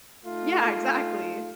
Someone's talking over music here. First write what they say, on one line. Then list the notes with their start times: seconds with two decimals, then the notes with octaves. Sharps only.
Yeah, exactly.
0.25 A3 D#4 F4